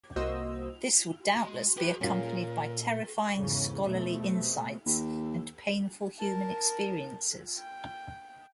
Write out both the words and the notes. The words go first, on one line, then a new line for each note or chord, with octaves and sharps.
This would doubtless be accompanied by terrifying scholarly insights and painful human experiences.
C2 A#3 F#4 C5 D#5 E6
G#3
G#4 B4 G5
A#2 C#4 F4 A#4
E2 G#2 C#3 C#4
B2 A3 C4
D#2
A#4 A5
G5